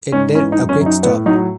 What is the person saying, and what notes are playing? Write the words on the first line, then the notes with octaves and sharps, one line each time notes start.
It did a quick stop.
G#2 C#4
E3 C#4
D#4
F#2
C#4
F#2
D#4
A2 B3
F#3 D#4